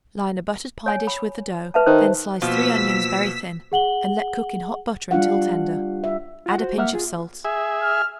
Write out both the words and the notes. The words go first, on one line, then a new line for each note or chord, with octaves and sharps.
Line a buttered pie-dish with the dough; then slice three onions very thin and let cook in hot butter until tender; add a pinch of salt.
C#5 G#5
B5
B4 E5 A5
D#3 C5
B2 F3 A#3 E6 B6
G#4 F#5 F#7 G7
G3 D4 F4 F5 F#5
E5
F4 F#5
F#4 C5
A#3 E5 F#5 F6
F4 G#4
G#4 E5
F6